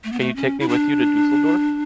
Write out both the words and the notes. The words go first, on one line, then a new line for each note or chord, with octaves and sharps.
Can you take me with you to Düsseldorf?
A3
B3
A3
C#4
E4
D4